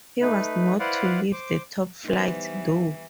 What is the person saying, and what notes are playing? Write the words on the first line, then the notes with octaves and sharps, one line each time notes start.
He was not to leave the top flight, though.
A3 D#4 B4
E4 B4 C5 D5 F5 F#5
C5 D6
E3 G3 B3 D#4 C5